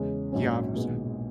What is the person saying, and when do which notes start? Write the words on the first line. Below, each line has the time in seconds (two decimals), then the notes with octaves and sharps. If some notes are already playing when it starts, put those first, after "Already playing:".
Yeah, for certain.
Already playing: E2 C#3 G#3 C#4
0.32 A#1 G#2 F#3 C#4
0.75 B1 A#2 G#3 B3